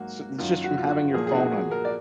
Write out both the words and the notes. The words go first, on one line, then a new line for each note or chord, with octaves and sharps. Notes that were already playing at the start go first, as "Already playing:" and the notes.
So, it's just from having your phone on you
Already playing: G#2 F#3 A#3 F#4
F#2 D#3 F#3 F4
F#4
F4
F#4
A#2 F3 A#3 G#4
G#4
F#4
G#4
A#4
D5